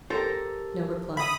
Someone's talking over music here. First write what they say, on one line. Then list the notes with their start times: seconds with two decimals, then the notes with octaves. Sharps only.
No reply.
0.10 G4 A4 A#4 C5 A#5
1.17 E5 B5 D#6